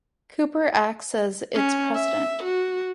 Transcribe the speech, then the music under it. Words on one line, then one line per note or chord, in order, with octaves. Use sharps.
Cooper acts as its president.
C#4
E5
F#4